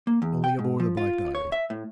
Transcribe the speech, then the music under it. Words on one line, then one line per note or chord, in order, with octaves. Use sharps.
'Only aboard the Black Diamond.
A#3
E2
G5
G#2
F3
F4
C#5
E5
A2